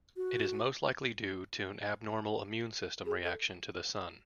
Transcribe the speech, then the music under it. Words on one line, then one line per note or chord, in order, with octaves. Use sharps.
It is most likely due to an abnormal immune system reaction to the sun.
F#4
G#4
A4